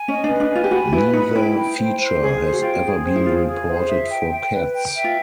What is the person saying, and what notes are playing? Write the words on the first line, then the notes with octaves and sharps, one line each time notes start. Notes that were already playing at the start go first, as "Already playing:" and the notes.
Neither feature has ever been reported for cats.
Already playing: G#5
C#4 D#5
D4
B4
D4
G#5
F4
G4
F#4 B5
E4 B4
D#4 B5
E4 G5
G5
C5
C5
G#4
C5
F#4
F4 G5
G#4
C5
E4
F4 G#4
G#4
C5
E5
G5
G5
B4
G5
E5
F4